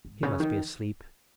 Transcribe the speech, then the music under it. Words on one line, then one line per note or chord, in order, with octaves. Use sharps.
He must be asleep.
G#2
C#3
D#3